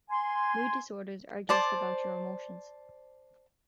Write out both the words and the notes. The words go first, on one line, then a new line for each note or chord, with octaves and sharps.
Mood disorders are just about your emotions.
G#5 C6
C5 D5 A5